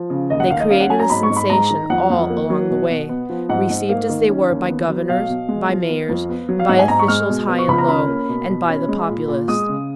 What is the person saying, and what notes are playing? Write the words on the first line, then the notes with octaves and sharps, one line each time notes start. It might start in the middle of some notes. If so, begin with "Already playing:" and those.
They created a sensation all along the way, received as they were by governors, by mayors, by officials high and low, and by the populace.
Already playing: F3
C#3
D#2 D#5
F#5
D#2 F5
D#5
C#4 F5
F#5
F#3 G#5
A#5
G#2 B5
C#6
G#2
B5
G#3 A#5
D#3
F2 F#5
F2
A#3
F#3
B2
B2
B3
F3
G#2 F#5
G#2
A#3 F5
D#3
C#4
D#2
B3
F#3
B2 F5
B2
G#3
F3
B3
F2
B3
F#3
F5
G#2 F#5
G#5
G#2 A#5
C#6
G#3 F6
B2
B3
C#6
C#2 B5
A#5
C#4 B5
A#3
B2
B2
C#4
G#3
A#2
A#2
G#3 D#6
C#3